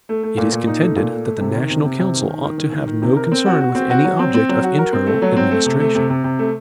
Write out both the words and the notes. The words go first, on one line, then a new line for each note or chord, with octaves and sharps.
It is contended that the national council ought to have no concern with any object of internal administration.
A3
A3
A#2
A#2
D#4
A3
A#2
A3
A3
C3
D#3
C3
C3
C3
D#3
D#3
D#3
D#3
D#3
D#3
C3
A#4
C4
F#4
F#4
C4
F#4
F#3
C4
C4
F#3
F#4
A#4
C4
A3
F#3
C4
A3
C3
A3
C3
C3
C3
A3